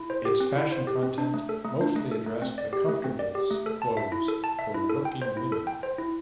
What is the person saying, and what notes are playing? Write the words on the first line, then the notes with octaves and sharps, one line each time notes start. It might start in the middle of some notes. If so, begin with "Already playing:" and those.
Its fashion content mostly addressed the comfortables clothes for working women.
Already playing: E4
C5
G4
C4
E4
C5
G4
C4
D4
A3
A4
A3
D4
A3
A4
A3
C4
D5
G4
A3
C4
D5
G4
A3
A4
A5
E5
E4
A4
A5
E5
E4
A4
G5
C5
E4
A4
G5
C5
E4